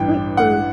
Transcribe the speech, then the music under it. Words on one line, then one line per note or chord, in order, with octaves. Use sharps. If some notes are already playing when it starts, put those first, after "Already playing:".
sweet food,
Already playing: A1 G2 E3 G5
F#5